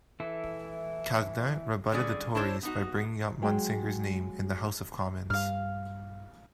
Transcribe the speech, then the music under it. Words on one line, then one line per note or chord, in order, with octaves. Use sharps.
Cardin rebutted the Tories by bringing up Munsinger's name in the House of Commons.
E3 E4 A4
D3 G3 C#4 G#4 D5
D4 E4 A4 C5 C#5
B3 D#4 F#4
F#3 G#3 G5
G2 F5 F6